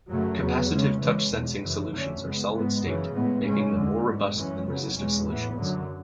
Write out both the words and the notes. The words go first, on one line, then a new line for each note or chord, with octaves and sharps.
Capacitive touch sensing solutions are solid state, making them more robust than resistive solutions.
F#2 C#3 F#3 A3
E2 C#3 F#3 B3
C#3 G#3 C#4
C#3 E3 G#3 C#4
E2 B2 G#3
F#2 C#3 E3
F#2 D3 A3 C#4
C#3 G#3 B3
G#2 G#3 B3
F#2 C#3 E3
A2 G#3 B3
C#3 G#3 C#4
E2 D3 G#3
G#2 G#3 B3
F#2 E3 G#3 C#4
F#2 C#3 F#3 B3
E2 B2 G#3 C#4
A2 E3 B3
F#2 D3 F#3